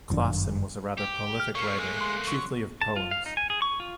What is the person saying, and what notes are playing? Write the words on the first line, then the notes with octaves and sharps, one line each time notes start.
Klassen was a rather prolific writer, chiefly of poems.
G1 F#2 D#3 D4
G4
F6
A3 A#3 C#5
G#3
C6 F#6
F#3
A5
F4
F5
D#4
G#5
G#4
C#6
F4